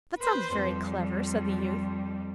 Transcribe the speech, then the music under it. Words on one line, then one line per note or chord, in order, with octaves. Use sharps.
'That sounds very clever,' said the youth.
B4 C5
F2 G3